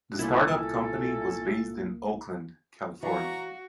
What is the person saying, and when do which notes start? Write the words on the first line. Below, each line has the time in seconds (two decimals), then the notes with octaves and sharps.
The start-up company was based in Oakland, California.
0.19 C2 A#2 A3 A#3 C#4 E4 A4
3.03 E3 F#4 D5 F5 A#5 C#6